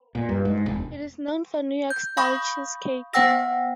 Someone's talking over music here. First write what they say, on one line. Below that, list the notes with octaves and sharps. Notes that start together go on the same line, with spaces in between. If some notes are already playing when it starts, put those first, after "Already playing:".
It is known for New York Style cheesecake.
A#2
G2
G#2
E1
G6
F5 B5 C#6 D#6 G6
B3 C5 F#5 G5 E6 A#6